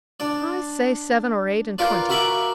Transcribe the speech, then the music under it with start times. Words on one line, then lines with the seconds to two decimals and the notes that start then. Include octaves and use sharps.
I say, seven or eight and twenty.
0.20 D4 D5
1.78 F4 A#4 B4 D5
2.09 F#4 A#4 E5 B5 C#6 D6